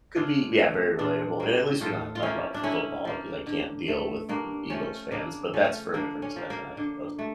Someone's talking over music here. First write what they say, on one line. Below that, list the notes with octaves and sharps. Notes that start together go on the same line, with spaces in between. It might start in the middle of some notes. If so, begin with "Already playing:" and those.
could be, yeah, very relatable, and at least we don't have to talk about f football, 'cause I can't deal with E Eagles fans, but that's for a different discussion, I suppose.
C#3 D4 F4
F3 A3
A#2 D4 F4
G3 A#3
A2 F4 A4
F4
F3 A#3 C#4 E4
D4
D3 C#4 E4
F3 A#3
D3
A3
G2 A#3 D4
F3 A3 C#4
C#3 A#3 D4
F3 A3 C#4
D3 A#3 D4
C#4
F3 A#3
A#3
D3
A3